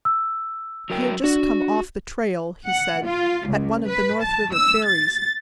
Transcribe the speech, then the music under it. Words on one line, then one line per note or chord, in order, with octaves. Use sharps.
He had just come off the "trail," he said, at one of the North River ferries.
E6
F#3 A#4 G5
D4 F#4
F#5
F4
C#2
B4
A5
E6
A6